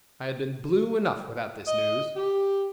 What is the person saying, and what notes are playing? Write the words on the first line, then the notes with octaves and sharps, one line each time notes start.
I had been blue enough without this news.
D#5
G4